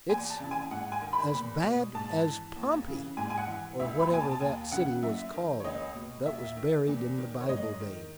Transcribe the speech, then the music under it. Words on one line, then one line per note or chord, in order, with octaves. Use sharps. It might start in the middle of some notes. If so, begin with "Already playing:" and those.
"It's as bad as Pompey, or whatever that city was called that was buried in the Bible days."
E2 G#5
A5
C#3 E3
G#5
G#2 F#5
G#5
D#3
B5
E2
B2
G#2 A5
E3
D#2
C#3 E3
G#2 G#5
G#5
F#5
E3
C#2 E5
B5
B2 G#5
A5
A5
D#2 G#5
C#3 E3 F#5
F#2 E5
D#3
C#5
C#2 D#5
B2
D#2 E5
D#3
E2
D#3
C#5
G#2 D#5
D#3